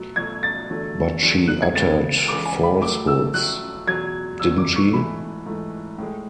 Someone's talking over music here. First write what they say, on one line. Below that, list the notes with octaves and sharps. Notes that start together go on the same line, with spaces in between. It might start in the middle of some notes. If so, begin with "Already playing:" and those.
But she uttered falsehoods, didn’t she?
Already playing: B2 F#3 A3
B2 F#3 A3 G#6
A6
E2 D3 F#3 A3
E2 D3 F#3 A3
F#6
G#6
E2 C#3 G#3 A6
E2 C#3 G#3 D6
G#5
B5
A2 F#3 A3 D6
E6
A2 F#3 A3 F#6
E2 B2 F#3 G#6
E2 B2 F#3 E6
D6
C#6
G#2 E3 A3 B5
G#2 E3 A3
A2 G#3